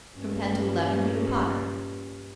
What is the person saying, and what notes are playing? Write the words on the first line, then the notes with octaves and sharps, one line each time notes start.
From ten to eleven he would potter.
G2 A#2 C#4